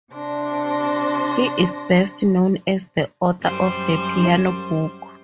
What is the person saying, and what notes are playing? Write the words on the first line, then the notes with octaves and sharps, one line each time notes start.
He is best known as the author of "The Piano Book".
C3 D4 C6 A#6
F#2 G3 C5